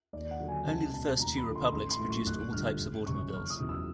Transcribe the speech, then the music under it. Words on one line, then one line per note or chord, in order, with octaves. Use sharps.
Only the first two republics produced all types of automobiles.
D#2 D5
F#5
D3 F#3
G#5
C#2 A5
B2 F#3 A5
D#2 A#5
B5
D3 F3
C6
A1 C6
C6
A2 F#3
C#6
G1 F#6
G2 D3 F3 F6
F#1
F#2 C#3 F3 C#6
F#1 F6
D#6
E2 C#3 F#3
E6